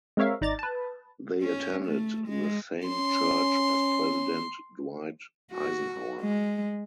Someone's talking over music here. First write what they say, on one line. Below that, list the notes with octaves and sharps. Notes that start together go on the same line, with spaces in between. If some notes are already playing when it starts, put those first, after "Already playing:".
They attended the same church as President Dwight Eisenhower.
G#3 C4 A#4 C#5 E5 F5
G#1 D#4 D5 A#5 A6
B4 A5
C#4
A3
G#3
C#4 C6
F#4
G#3